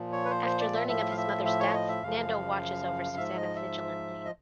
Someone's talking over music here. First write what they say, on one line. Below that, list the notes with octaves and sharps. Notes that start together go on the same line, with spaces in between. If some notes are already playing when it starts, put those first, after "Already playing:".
After learning of his mother's death, Nando watches over Susana vigilantly.
Already playing: A#2 F3
C#5
B4
C5
C5
D5
E5
A2 F3 E5
F5
E5
E5
C#5
D#5
E5
F#2 C#3 F3 F5
G#2 F3 E5
D#5
E5
D#5